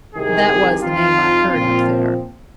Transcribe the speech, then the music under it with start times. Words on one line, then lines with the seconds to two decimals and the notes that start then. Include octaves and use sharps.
That was the name I heard up there.
0.15 C2 C3 D#3 G#4
0.82 F2 F3 C4 D#4 F4
1.50 A#2 F3 C4 F4